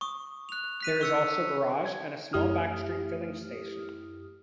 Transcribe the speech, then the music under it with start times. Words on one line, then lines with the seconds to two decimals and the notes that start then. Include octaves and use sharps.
There is also a garage and a small backstreet filling station.
0.01 C#6 D#6
0.49 F#6 F7
0.81 F#6 B6 D#7
1.01 C#6 E6 C#7
1.85 G#6
2.33 F#2 A3 E4 G4 D#6 F6